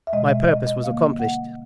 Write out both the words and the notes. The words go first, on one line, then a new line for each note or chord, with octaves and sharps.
My purpose was accomplished.
E5
B2 G#3 D#5
D#5
D#5
D3 G3 A#3 F5
F#5